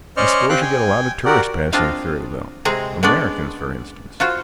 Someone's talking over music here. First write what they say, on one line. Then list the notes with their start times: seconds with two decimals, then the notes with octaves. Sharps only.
"I suppose you get a lot of tourists passing through, though, Americans, for instance?"
0.17 C#4 C5 D5 D#5 C#6 F6
0.49 C4 G4 F5 G5 F#6
0.61 G5 G#5
1.25 F#4 G4 A#4 D5 F#5
1.73 C4 D4 F4 C5 D#5 F5
2.65 C3 G#3 C4 G#4 A#5
3.03 G#3 B3 C#4 D4 D5
4.20 F4 F#4 C5